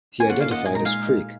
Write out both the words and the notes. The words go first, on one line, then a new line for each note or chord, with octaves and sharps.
He identified as Creek.
D#3 A#3 C#4 F4 G#5
F#5
F5
D#5 F#5
A#2 G#3 D#4 G#5
A#5
F5 G#5